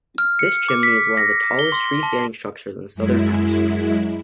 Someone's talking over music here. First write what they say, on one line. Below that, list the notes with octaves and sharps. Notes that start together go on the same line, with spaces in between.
This chimney is one of the tallest free-standing structures in the Southern Hemisphere.
F6
C#7
D6
B6
A#6
G7
C6
A5
F#2 G#3 E4